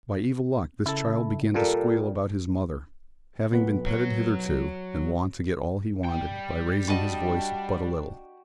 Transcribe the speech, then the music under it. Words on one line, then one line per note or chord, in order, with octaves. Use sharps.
By evil luck, this child began to squeal about his mother, having been petted hitherto, and wont to get all he wanted, by raising his voice but a little.
C#3 E4 A4
A#2 G3 F4 A4 A#4
B1 B3
F#3
G3 G5
D4 F#4 G4 D#5 A5 B5